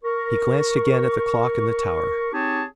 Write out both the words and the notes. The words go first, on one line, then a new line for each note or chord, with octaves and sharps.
He glanced again at the clock in the tower.
A#4 C#6
C4 D#4 G4 G#4 C#5 A5